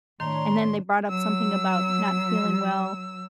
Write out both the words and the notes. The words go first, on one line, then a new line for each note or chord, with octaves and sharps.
and then they brought up something about not feeling well
A2 D#3 D4 C#5 A#5 C6
F#3 E6